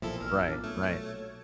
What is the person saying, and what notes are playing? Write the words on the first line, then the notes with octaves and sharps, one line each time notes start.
Right, right.
B1 A#2 F3 E4 A4
A1 E6 F6
A#3 C#4 D4
A3 F#4 A4 C#5